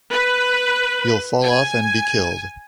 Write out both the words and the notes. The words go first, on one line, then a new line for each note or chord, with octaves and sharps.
You’ll fall off and be killed.
B4
G#5